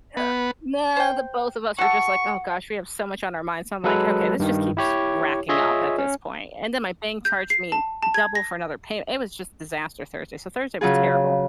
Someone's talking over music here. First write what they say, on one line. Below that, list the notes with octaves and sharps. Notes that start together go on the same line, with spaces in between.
yeah nah, the both of us were just like, "Oh gosh, we have so much on our mind." So I'm like, "Okay, this just keeps racking up at this point." And then my bank charged me double for another payme It was just disaster Thursday. So Thursday was terrible.
B3
C5 G5
F#4 A4 F#5 C#6
F#3 G#3 A4 B4
G2 D#3
E4 G4 C#5
F4 G#4 C#5 D#5 E5
C#4
G6
C7
A5
A5
G#6
A#6
C#3 F#3 F4 G#4